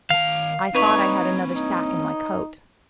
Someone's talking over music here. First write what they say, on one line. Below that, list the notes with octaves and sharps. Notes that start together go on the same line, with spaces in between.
I thought I had another sack in my coat.
D#3 F5 A5
C4 D4 D#4 B4 C#5
D#4